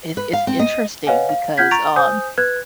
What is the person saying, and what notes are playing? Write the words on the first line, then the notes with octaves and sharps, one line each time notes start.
it's it's interesting because, um,
B4
F5
C4
D#5
B4 C#5 D#5 F5 F#5 G#5
F5
F4 F#5 F6 G6 G#6 B6
A#5 C#6 A6 D7 F7
C5 G#5 D#6 G6
B4 F#6 G#6